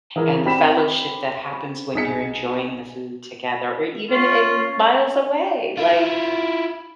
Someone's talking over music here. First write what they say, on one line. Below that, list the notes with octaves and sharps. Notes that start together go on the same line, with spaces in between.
and the fellowship that happens when you're enjoying the food together or even in miles away. Like,
E3 G#4 A#4
C4 G4 B5 B6 E7
B1 G#4 G#5 B6 C#7
C#4 F4
E4 F4